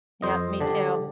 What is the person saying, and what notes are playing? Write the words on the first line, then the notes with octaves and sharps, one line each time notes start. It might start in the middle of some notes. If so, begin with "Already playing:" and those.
Yep, me too.
F2 C5 D#5
D3 G3 D4